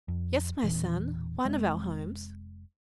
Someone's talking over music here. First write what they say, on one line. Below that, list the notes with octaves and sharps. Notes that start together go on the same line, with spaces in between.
"Yes, my son, one of our homes."
F2
E1 A#2 E3 C#4
F1 G#3 C4